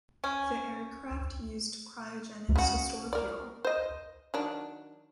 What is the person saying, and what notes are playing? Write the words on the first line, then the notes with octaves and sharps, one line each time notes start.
The aircraft used cryogenics to store fuel.
C#4
C#3 F#4
A#4 D5
C5 D#5
D#3 F#3 D4